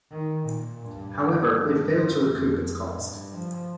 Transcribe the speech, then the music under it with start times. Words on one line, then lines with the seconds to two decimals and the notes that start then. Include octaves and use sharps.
However, it failed to recoup its cost.
0.11 D#3
0.47 A#2
0.83 G2
1.89 G2
2.26 F2
2.97 G2
3.33 F3